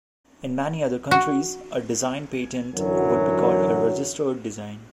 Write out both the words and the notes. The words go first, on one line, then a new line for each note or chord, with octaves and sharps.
In many other countries, a Design Patent would be called a "registered design".
F#4
F#2 D3 E3 F#3